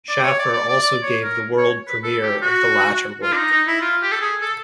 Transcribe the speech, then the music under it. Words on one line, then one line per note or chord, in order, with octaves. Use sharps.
Shaffer also gave the world premiere of the latter work.
D5
C#5
D5
D5
D5
D5
C#5
A#4
C#5
B4
A4
G4
F#4
F4
D4
D#4
D#4
E4
F4
G4
A4
G#4
A4